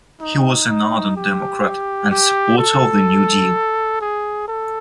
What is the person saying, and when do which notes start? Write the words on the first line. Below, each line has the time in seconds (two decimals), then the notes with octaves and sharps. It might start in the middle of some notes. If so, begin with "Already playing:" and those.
He was an ardent Democrat and supporter of the New Deal.
0.20 D#4
0.69 D#4
1.16 G4
2.11 G4
2.58 A4
4.01 G#4
4.48 A4